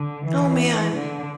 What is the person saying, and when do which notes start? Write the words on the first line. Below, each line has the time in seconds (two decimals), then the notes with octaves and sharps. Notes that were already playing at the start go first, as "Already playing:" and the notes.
Oh, man.
Already playing: D3
0.26 E3
0.93 D3